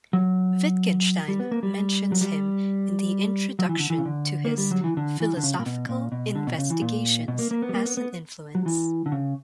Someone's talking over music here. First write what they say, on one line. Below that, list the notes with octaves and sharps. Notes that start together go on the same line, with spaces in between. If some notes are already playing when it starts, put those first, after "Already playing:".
Wittgenstein mentions him in the introduction to his "Philosophical Investigations" as an influence.
F#3
G3
B3
A#3
G3
F#3
G3
F#3
E3
D3
E3
C#3
D3
A#3
G3
F#3
E3
D3
E3
D3
C#3
A#2
B2
A#2
B2
D3
B2
C#3
E3
A#2
B2
A#3
A#3
B3
G3
A#3
B3
B3
F#3
E3
D3
C#3